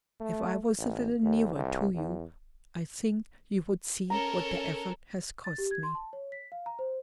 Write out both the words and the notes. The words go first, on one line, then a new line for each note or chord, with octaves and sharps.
If I was a little nearer to you, I think you would see what the effort has cost me.
A3
A1
D#2
C2
E2
C#4 A4 A#4 A#5
A6
G4
G#6
C6
A5
C#5
B6
F5
A#5
C5